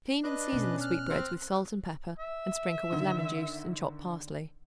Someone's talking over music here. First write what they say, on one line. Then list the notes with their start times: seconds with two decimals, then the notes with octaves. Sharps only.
Clean and season the sweetbreads with salt and pepper and sprinkle with lemon-juice and chopped parsley.
0.24 D4 B4 D#5 F#6
0.53 B2 C#4
0.81 F6 F#6
1.10 C4
2.19 E5
2.92 D3 D#3